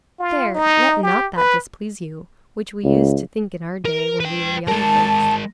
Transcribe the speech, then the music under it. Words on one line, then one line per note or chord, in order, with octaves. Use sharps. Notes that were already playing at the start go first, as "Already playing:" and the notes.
There, let not that displease you which we used to think in our day, when we were young folks.
F4
D#4
G4
B4
C#2
A#4
B4 G5
G#3 A#4 A5